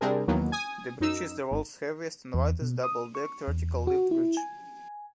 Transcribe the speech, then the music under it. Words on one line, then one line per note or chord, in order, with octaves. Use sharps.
The bridge is the world's heaviest and widest double-decked vertical-lift bridge.
C3 G3 C4 D4 G#4 A#4
D#2 D#3 E3 F#3 A#3 B3
G#5 D#6
F#2 D#4 E6
G#1
E2
B2
D#6
C#6
E2
F#4
E4
G#5